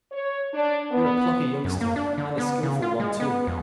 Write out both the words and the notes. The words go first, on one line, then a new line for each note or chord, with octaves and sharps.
You're a plucky youngster and a skilful one, too.
C#5
D4
B3
F#2
A#3
D4
D3
B3
C#3
F4
G#3
B3
F2